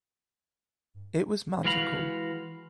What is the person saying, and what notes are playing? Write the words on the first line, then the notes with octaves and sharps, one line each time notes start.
It was magical.
E3 G#3 F#4 F5 B5